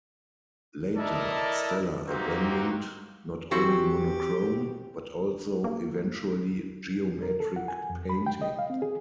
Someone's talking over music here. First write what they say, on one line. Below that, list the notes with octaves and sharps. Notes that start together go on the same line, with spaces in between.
Later, Stella abandoned not only monochrome, but also eventually geometric painting.
E4 A4 A#4 D5 D#5 A5
A#3 C4 D#4 F#4 G4
E3 C4 F#4 G4
A#3
A#4
A4
F#5
G#5
F2
B5
G5
D#5
F5
C4
G#4